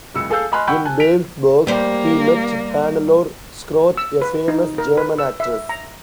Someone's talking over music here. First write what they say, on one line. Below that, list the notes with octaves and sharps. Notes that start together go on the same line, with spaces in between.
In Babelsberg he met Hannelore Schroth, a famous German actress.
F#1 C#2 E6 C#7
G#4 A4 F5 E6 G6
D#5 G#5 B5 C6 F6 F#6
F#5 G5 B5 C#6 E6 G6
G#5 A5 F#6
B6 D7 F7
G3 A#3 C5
E6
B4
D#4
A#4
B4
E6
E5
A#5